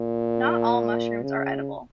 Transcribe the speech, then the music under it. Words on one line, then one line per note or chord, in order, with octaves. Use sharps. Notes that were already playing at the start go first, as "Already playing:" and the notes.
Not all mushrooms are edible.
Already playing: A#2
C#3